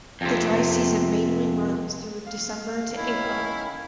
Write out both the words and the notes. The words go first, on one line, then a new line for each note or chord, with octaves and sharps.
The dry season mainly runs through December to April.
F2 C3
F5
D#3 C#4 E4